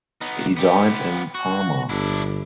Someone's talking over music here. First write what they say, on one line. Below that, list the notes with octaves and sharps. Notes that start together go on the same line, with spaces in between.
He died in Parma.
B3 D#4
B3 G4
F#4
G1 D4 E4